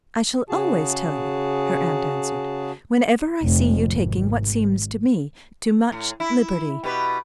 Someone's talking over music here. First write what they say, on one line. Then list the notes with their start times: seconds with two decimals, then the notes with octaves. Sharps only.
"I shall always tell you," her aunt answered, "whenever I see you taking what seems to me too much liberty."
0.49 C#3 F#4 G#4 A5
3.44 F1
3.86 G#1
5.92 A2
6.20 E4
6.84 B2 G4 B4